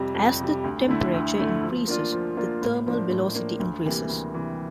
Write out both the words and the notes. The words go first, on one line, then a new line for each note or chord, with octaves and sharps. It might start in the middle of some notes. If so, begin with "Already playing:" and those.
As the temperature increases, the thermal velocity increases.
Already playing: F2 C3 G3
F2
C3 G3
D2
D3 A3 E4
D2
D3 A3 E4
F3
A#3 D4 F4
F3
A#3 D4 F4
A2
F3 A#3 D4
A2
F3 A#3 D4
D2
C3 E3 G3 A#3
D2
C3 E3 G3 A#3